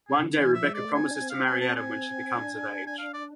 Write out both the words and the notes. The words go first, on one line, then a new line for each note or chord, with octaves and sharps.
One day Rebecca promises to marry Adam when she becomes of age.
G#5
C3
D3
E3 G#5
F3 E5
G#3
D5
A3
G#5
C4
D4 G#5
C4
F5
G#5
A5
G#5
D4
G#5
F5
D5